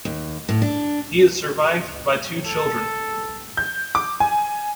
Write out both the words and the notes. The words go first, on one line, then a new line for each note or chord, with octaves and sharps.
He is survived by two children.
D#2
A2
D4
A4
G6
D6
G#5